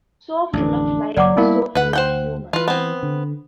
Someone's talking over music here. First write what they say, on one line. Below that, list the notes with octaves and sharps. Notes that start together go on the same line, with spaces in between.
So full of light, so full of humor.
A1 F2 D3 D4
F#1 F#3 D5 F#5 D6
G3 A#3 B3 D#4 E4 A#4 F5
D2 B4 F#5
C5 F#5 G5
E3 F4 B4
B3 C4
D3